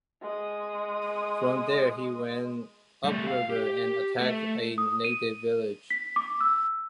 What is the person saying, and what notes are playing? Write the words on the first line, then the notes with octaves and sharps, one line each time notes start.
From there he went upriver and attacked a native village.
G#3 D#6
G3 A3
F5
G4
A3 A4
D#6
D#7
B6
D6
E6